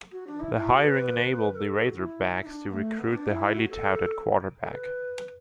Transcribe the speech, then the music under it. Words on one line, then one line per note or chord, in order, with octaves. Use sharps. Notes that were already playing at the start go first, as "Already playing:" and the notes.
The hiring enabled the Razorbacks to recruit the highly touted quarterback.
F#4
D4
E4
E4
F#4
B4
A4
F#4
E4
E4
D4
B3
A3
B3
D4
E4
F#4
A4
A4
B4